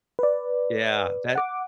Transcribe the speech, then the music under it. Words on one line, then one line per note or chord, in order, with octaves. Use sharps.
Yeah. That
B4 D5
F#5 D6